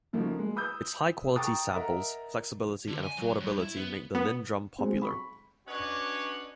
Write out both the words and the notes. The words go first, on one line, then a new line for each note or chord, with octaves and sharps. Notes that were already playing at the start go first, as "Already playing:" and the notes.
Its high-quality samples, flexibility and affordability made the LinnDrum popular.
C#3 F3 A3 A#3 D#4 F#4
G#3
B5 D#6 E6 G6
G5 A5 A#5 C#6 D#6 A6
A#4 D#5 E5 F#5 A#5
D3
G#5
F#3
G2
E4
B3
B3
F#3 G#3 C4
B5 C#6
C#4 D4 F#4 B4 C#5 D#5